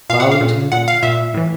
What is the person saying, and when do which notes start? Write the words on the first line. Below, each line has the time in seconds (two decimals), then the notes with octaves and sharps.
Followed him, followed.
0.10 A#2 F5
0.20 F#5
0.32 F5
0.41 A#2
0.72 A#2 F#5
0.88 F5
1.03 A#2 E5
1.34 A2 E3